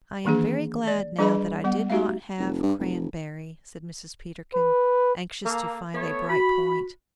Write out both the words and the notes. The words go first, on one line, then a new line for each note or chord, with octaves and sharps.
"I am very glad now that I did not have cranberry," said Mrs. Peterkin, anxious to find a bright point.
D#3 E3 A#3 D4 G#4
D5
G3 D4 G#4 B4 D#5 B5
G3 B3 F#5
A3 D#4 F#4 G4 E5 F5
F1
G2
F1
B4
A#3 A4
A3 B3 C#5
F#4 B5